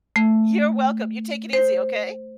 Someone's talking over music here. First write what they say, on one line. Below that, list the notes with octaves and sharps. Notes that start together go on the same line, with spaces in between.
You're welcome, you take it easy, okay?
A3
C5